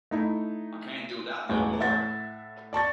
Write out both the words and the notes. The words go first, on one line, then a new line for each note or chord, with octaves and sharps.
I can't do that no more.
A3 D#4 E4
E1 A1 E3
A2 E5 F#5 A6
D5 A5 C#6 A6